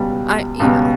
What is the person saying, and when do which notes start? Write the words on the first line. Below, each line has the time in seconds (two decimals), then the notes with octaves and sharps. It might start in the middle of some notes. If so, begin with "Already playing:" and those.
I uh yeah.
Already playing: C#2 B2 G3
0.60 C#2 B2 G3